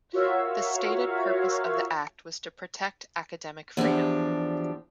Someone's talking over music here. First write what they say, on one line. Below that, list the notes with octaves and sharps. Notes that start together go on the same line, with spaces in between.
The stated purpose of the Act was to protect academic freedom.
F4 F#4 A#4 C#5 E5 F5
E2 F3 D4 G4